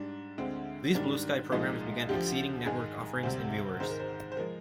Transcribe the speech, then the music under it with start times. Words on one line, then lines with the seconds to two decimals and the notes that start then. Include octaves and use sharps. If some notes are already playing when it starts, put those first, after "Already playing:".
These blue sky programs began exceeding network offerings in viewers.
Already playing: G#2 G3 D4
0.38 D2 D3 G#3 C4
0.95 G#2 D#3 G3 D4
1.52 C2 A#2 F3 G#3 D#4
2.09 D2 D3 F3 G4
2.66 G#2 D#3 G#3 G#4
3.23 D2 C3 G3 C5
3.80 G#2 D#3 G#3 C5
3.90 A#4
4.00 C5
4.32 C5
4.37 F3 G#3 A#4